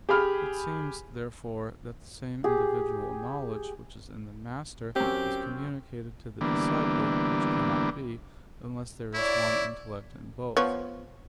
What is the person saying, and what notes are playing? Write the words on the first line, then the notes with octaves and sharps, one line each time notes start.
It seems, therefore, that the same individual knowledge which is in the master is communicated to the disciple; which cannot be, unless there is one intellect in both.
G4 G#4 B5 F6
G4 G#4
F#2 C4 G4
D3 E3 G3 A#3 B3 D4
E4 C#5 D5
F3 B3 C#5